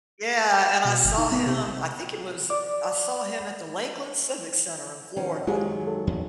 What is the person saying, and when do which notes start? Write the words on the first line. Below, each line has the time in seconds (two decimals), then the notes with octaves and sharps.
Yeah, and I saw him, I think it was, I saw him at the Lakeland Civic Center in Florida.
0.68 E7
0.85 B2
1.04 G1
1.18 D#4
1.32 B3
1.46 C3
2.50 D5 D6
5.16 D#3 F3 C#4
5.47 F#2 D#3 F#3 G#3 F4 G4 G#4
5.87 A4
6.07 E2